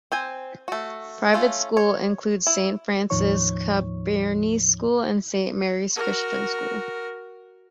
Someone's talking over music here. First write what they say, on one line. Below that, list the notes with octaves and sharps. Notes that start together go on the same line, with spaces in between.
Private schools include, Saint Frances Cabrini School and Saint Mary's Christian School.
C4 C5 G#5
A3 F#4
A3 C#4 F4
C#5
E4
D#2 A2 F3 D#4 C#5 C#6
F#4 A#4